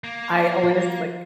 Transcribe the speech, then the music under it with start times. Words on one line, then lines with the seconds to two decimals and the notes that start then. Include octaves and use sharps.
I always like
0.04 A#3
0.63 F3